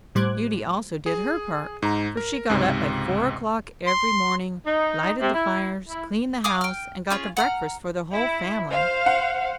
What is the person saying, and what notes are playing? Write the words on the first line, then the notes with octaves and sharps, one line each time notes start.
Beauty also did her part, for she got up by four o'clock every morning, lighted the fires, cleaned the house, and got the breakfast for the whole family.
A2 G3 C5 D6 F#6 G#6
G#4
G#2 A#5
A#4
C#2 G#2 C3
C6
D#4
C3
E4
E4
F5 G#5 D6 D#6
G5 F6
C#4 F4 G#4
F#5 A#5 F6
E4
C5 F5
F#5